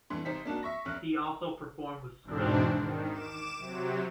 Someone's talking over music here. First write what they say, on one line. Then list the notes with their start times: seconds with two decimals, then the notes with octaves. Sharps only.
He also performed with Skrillex.
0.10 F2 D3 E3 A3 C6
0.25 A1 C3 D#4 C5 B6
0.45 A#3 D4 D#4 F#4
0.63 E5 C#6 A#6
0.85 F1 D2 C#4 F#6
2.23 E2 G#2 B2 C4 D4
2.74 D#3
3.13 D6 E7
3.58 C3 F#3